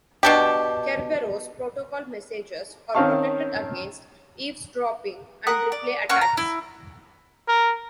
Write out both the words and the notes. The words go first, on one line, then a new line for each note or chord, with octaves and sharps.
Kerberos protocol messages are protected against eavesdropping and replay attacks.
B2 D4 G4
D#3 C4 C#4 F5 A5 C#6
A#4 F#5 D#6
D5
A#3 C#4 F#5 C#6
A#5
E4
A#4